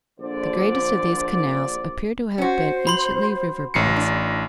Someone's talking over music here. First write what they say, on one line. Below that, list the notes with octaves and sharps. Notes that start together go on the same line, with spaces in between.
The greatest of these canals appear to have been anciently river beds.
A#1 D3 C5 D5
C#4 F#4 C5
B5 C6
A1 C7 C#7
D4